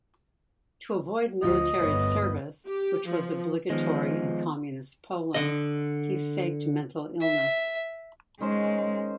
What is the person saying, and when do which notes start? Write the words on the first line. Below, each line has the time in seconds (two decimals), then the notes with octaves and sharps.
To avoid military service, which was obligatory in Communist Poland, he faked mental illness.
1.43 D2 F3 F4 C5 D#5
1.79 G1 D2 B3 B4 C#5
2.67 G4
3.08 F3
3.70 D#3 F3 G#3 B3
5.34 D3 D#5
7.21 E5
8.40 D#3 G#3 C#4 C5